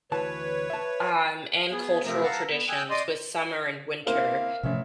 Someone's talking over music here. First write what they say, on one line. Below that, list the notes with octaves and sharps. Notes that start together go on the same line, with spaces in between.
um, and cultural traditions with summer and winter.
D2 E3 B4 C#5 A5
E5 A5
B3 G#4
C3 F3 A3 C4 A#4
A4 F5 F#5 A5 A#5
B3
G5 G#5 D#6 E6 F#6 G6
D5 D#5 C6 D#6
A#3 C4 E4 A#4 C5 F5 F6
A1 C3 F3 C#4 E5